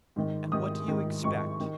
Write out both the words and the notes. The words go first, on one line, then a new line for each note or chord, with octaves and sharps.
"And what do you expect?"
G#2 D#3
G#2 D#3 D#6
G#2 D#3
G#2 D#3 C#6
D#3